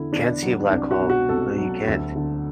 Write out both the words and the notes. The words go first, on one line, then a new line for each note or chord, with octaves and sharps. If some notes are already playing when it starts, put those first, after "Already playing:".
Can't see a black hole. No, you can't.
Already playing: E2 D3 E4
E2 D4
F#3
C2 D4
F#4
B2
F#4
C2 A4
F#3
D2
D3